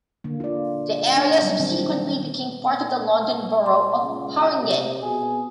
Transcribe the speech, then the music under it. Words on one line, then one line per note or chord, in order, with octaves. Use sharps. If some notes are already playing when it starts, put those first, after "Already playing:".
The area subsequently became part of the London Borough of Haringey.
D3 A#3
F4 D5
D4
F#3 G3 C4
D#3 C4
C6
C#2
C3
B2 G#4